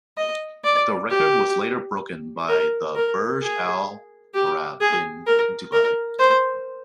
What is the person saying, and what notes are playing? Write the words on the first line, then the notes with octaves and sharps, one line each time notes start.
The record was later broken by the Burj Al Arab in Dubai.
D#5
D5
G4
A#4
A#4
G#4
G4
G#4
A#4
A#4
C5